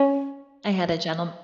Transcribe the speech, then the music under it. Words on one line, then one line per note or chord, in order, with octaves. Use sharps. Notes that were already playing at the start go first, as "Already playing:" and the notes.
I had a gentlem
Already playing: C#4